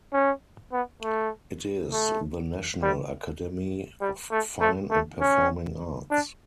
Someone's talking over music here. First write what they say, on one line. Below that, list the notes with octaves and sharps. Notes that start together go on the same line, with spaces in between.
It is the national academy of fine and performing arts.
C#4
B3
A3
A3
G3
G3
A3
A3
A3
C#4
D4